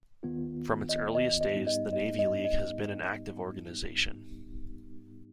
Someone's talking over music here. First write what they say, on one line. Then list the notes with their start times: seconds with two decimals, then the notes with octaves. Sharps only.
From its earliest days, the Navy League has been an active organization.
0.23 D#2 D#3 B3 F4
0.89 D#5
1.15 D#5
1.41 D#5
1.54 G#2 G3 B3 D#4 G4
1.67 D#5
1.93 D#5
2.19 D#5
2.45 D#5